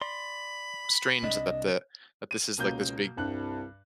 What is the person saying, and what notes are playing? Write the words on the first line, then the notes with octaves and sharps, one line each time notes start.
strange that the that this is, like, this big,
D5 B5 C6
C2 C3 D4 D#5
D#7
C#2 B2 A#3 G6
C2 G2 F#6